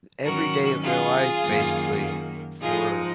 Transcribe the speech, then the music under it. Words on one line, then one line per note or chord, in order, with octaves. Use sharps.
every day of their life, basically, for
G#2 D#3 F#3 C#4 F#4 A#4
F4 G#4
F#2 D#3 A#3
G#2 F3 G#3 D#4 F4 G#4